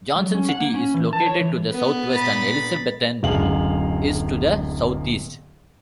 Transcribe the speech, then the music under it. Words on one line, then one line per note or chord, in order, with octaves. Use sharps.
Johnson City is located to the southwest, and Elizabethton is to the southeast.
F#3
C#4
F#5
A#3
C#4
E3
A5
C#5
E3
B3
A#2 B5 A6
D1 F#2 G#3 F5 F#7